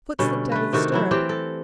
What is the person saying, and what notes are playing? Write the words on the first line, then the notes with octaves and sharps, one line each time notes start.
"Foot slipped out of the stirrup."
B2 D3 G3 C#4
A3 B4
C3 D#3 F#4 A4
E3 F#3 E4
E3 C4 G4 D5
A4